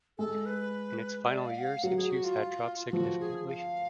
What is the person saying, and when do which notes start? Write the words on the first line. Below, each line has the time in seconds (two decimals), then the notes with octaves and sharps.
In its final years its use had dropped significantly.
0.18 G#3 A4
0.46 B4
1.28 D5
1.46 F5
1.58 F#5
1.64 F5
1.83 F#3 F#5
1.97 G#4
2.11 F#4
2.24 F4
2.87 F4
2.92 F3 F#4
3.20 G#4
3.48 F5